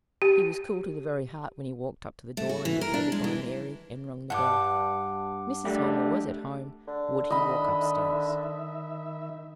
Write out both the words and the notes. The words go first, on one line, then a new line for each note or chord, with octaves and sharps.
He was cool to the very heart when he walked up to the door indicated by Mary, and rung the bell: Mrs. Helmer was at home: would he walk up stairs?
G4
A3
F#4
E3
A#4
D4
G#3
E3
G2 G3 F#5 D6
A3 D4 G4
D3
D#3 D#5 E5 B5